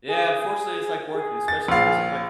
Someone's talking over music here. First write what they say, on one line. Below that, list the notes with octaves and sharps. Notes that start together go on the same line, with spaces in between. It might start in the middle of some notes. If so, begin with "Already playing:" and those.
Yeah, unfortunately, it's, like, working, especially 'cause of, like,
G#4
G#4
A6
A#1 F5